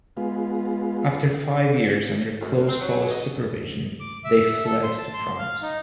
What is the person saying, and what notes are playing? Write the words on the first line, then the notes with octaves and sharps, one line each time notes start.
After five years under close police supervision, they fled to France.
G#3 B3 F4
F#2
C4
F#3
D#5
D6
E5
A4
C6
A5
C6
F5
D#4